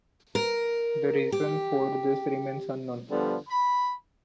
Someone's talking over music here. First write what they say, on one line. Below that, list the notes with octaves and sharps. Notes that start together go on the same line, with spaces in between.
The reason for this remains unknown.
A#4
G4
D3 F3 G3 B3
B5